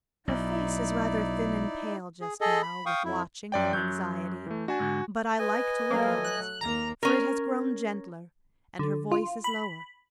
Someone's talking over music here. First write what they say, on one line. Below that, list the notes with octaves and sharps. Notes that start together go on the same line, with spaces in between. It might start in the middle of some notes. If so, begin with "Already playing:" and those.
Her face is rather thin and pale just now, with watching and anxiety, but I like to look at it, for it has grown gentler, and her voice is lower.
B1 D#4 E4 D5
G#4
G#4 A4 D#5
B5
F5 G5 C#6 D#6
F2 E4
F#2 D5 G5
F#2 F#3 G6
E3 A3
D4 F#4 G#5
G#2 D3
B4 D#5 G#5
F#3 A3 A#3
F#6
D#2 A#3 A#5
C#4 A#4
D3
F4
B5